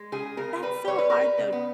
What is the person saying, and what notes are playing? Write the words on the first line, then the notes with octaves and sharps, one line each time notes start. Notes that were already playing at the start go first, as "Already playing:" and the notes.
that's so hard, though,
Already playing: G#3
C#3 G#4
C#3 A#4
G3 B4
G3 C#5
B4
G3 A#4
B4
C#3
B3